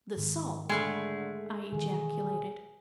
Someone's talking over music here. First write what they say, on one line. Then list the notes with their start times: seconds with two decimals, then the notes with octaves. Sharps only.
"The salt!" I ejaculated.
0.16 G#2 D#3
0.69 D3 G#3 A3
1.72 B2 D#3 E3 G#4